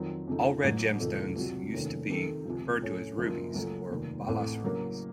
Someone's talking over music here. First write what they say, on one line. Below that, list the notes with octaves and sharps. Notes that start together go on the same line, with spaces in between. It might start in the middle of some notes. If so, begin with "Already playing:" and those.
All red gemstones used to be referred to as rubies or "balas rubies".
Already playing: F2 D#3 F#3 C4
F2 C#3 A3 D#4
A1 A2 F#3
F1 F2 D#3 A3
C#2 C3 F#3 C4 F#4
F1 D#2 D#3 A3 C#4
C3 D#3 A3 C4
C#2 C3 F3
A2 A3 C#4
F#1 F#2 F3 A#3 F4
C#2 C#3 F#3 A3 C#4
F1 D#2 D#3
A1 A2 A3 C4
C#3 F#3 A#3